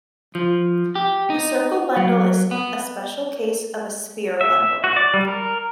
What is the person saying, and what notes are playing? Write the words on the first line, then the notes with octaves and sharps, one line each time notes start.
A circle bundle is a special case of a sphere bundle.
F3
G4
D#4
F#3
B3
E5
F#4
D5
G3
A#4